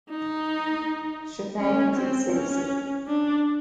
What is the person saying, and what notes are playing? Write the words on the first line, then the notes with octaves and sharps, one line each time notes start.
Shifang is its city seat.
D#4
C#4
C4
C#4
D4